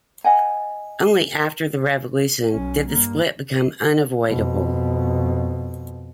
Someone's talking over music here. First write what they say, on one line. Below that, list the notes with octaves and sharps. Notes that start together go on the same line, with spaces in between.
Only after the revolution did the split become unavoidable.
D#5 F#5 G#5
B1 C#4
G2 A#3
F2 B2